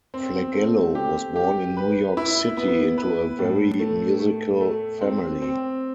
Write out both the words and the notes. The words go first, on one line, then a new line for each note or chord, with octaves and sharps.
Flagello was born in New York City, into a very musical family.
C4
A3
G4
G4
B4
E4
B3
B4
A2
A3
A3
A3
C4
C4